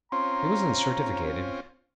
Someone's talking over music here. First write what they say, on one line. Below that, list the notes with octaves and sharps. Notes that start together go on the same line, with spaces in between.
He wasn't certificated.
C4 C#4 F4 A#5 C6